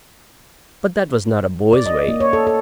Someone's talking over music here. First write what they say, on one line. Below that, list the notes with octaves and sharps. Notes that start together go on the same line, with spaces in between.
But that was not a boy's way.
D5
D#5
A#3
C#5
A4
A4